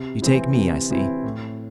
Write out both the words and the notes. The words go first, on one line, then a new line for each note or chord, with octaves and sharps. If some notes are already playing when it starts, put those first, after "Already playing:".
You take me, I see.
Already playing: C3
E3 C4 E4
C3
E3 C4 E4
A2